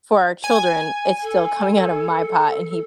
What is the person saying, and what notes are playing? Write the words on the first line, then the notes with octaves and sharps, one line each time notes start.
for our children, it's still coming outta my pot, and he
G#5
A4